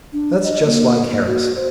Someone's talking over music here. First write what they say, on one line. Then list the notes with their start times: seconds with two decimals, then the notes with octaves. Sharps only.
That's just like Harris.
0.13 D4
0.43 D#5
0.65 A#3
1.08 A#3
1.27 F#4
1.56 C5